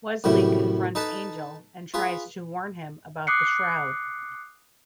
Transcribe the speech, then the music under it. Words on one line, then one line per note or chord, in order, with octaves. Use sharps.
Wesley confronts Angel and tries to warn him about the shroud.
F#2 A2 C3 G3 E4
D#4 A4 B4 A5
F4 G#4 B4
D6 D#6 F#6 C7 C#7